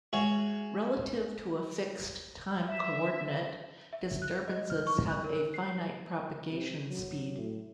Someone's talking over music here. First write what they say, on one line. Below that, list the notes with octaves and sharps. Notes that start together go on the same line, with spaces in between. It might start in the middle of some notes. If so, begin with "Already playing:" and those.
Relative to a fixed time coordinate, disturbances have a finite propagation speed.
G#3 F#4 G#4 C#5
E5
E5
F#6
D#5
F6
C#6
F#6
A#4
C7
C3
F#3
A2